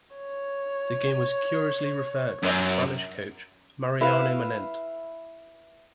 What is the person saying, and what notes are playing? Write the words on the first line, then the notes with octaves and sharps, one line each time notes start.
The game was curiously referred by the Spanish coach Mariano Manent.
C#5
F#2
E4 B4 E5 F5